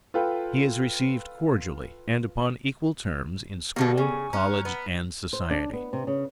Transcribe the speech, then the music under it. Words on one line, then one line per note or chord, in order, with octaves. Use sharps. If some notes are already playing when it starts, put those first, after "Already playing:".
He is received cordially and upon equal terms in school, college, and society.
F4 A4 B4 F5 G5
B2 D3 A#3 B3 G4 A4
C#3 G#5 C#6
C#4 A#5 F6 F#6
B3
C5
D4
B3
C3
C#3